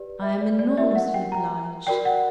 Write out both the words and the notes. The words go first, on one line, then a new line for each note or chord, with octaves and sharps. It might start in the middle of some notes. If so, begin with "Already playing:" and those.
I am enormously obliged.
Already playing: G4 B4 D5
E5
D5
D5
E4 G4 A#4 E5
E5
F#5
G5
A#5
F#4 A#4 D5 G5
F#5